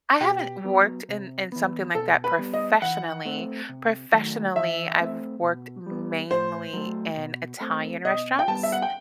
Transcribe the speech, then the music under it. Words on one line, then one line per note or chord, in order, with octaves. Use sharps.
I haven't worked in in something like that professionally. Professionally, I've worked, mainly, in Italian restaurants,
B2 G4
F#3 B3
C3
E3 B3
B2 A4
B4
G3 B3
D#5
E3 F#5
A3 C4
C3
D#3 F#3 A3
E3 E5
A3 C4
B2
G3
B3
A2 C5
F#3 A3
B2
A3 C4
B2 D#5
G5
G3 B3 A5
E5
F#5
G5